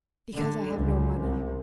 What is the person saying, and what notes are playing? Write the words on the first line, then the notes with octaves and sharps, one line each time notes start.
"Because I have no money."
D3
C#2
C2